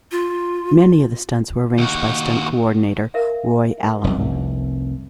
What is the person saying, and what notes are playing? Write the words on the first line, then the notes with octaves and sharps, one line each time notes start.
Many of the stunts were arranged by Stunt coordinator Roy Alon.
F4
D#2 F#4
A#4 E5 F5
F1 C2 C#4